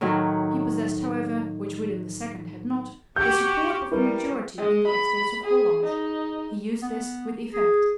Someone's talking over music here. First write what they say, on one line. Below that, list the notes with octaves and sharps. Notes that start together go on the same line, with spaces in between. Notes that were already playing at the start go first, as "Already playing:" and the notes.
He possessed however, which William II had not, the support of a majority in the Estates of Holland. He used this with effect.
A2 D#3 F#3
F#4 G4 G6
G3 E4 A#4 B4
G#3
B5
G#4
D#4
B3
G#4